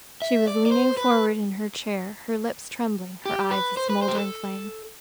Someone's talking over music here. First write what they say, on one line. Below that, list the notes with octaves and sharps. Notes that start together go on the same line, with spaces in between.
She was leaning forward in her chair, her lips trembling, her eyes a smouldering flame.
E5
D5
D5
C5
B4
G4
B4
C5
B4
C5
G4
A4